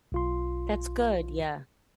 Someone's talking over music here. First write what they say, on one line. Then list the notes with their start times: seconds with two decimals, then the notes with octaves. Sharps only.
That's good. Yeah.
0.12 B1 F4 C6